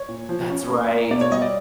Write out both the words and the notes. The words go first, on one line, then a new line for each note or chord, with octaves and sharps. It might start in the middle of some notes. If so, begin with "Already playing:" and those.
That's right.
Already playing: C#5
A#2
F3
C#4
A#3
A#3
B2 D5
C#5
G3 D#5
D5